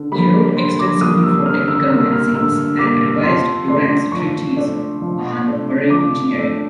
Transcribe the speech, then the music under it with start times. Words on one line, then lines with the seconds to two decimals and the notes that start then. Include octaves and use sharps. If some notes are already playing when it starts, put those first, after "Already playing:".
He wrote extensively for technical magazines and revised Durand's treatise on "Marine Engineering".
Already playing: D3
0.12 G3 A#3 B5
0.56 D3 C6
0.79 D6
1.01 G3 A#3 D#6
1.23 E6
1.46 D3 F6
1.68 E6
1.90 G3 E6
1.94 A#3
2.12 F6
2.34 D3 E6
2.79 G3 A#3 D6
3.23 F3 C6
3.68 A3 D4 C6
4.12 F3 C#6
4.56 A3 D4
5.02 F3
5.46 A3 D4
5.90 F3 D6
6.35 A3 D4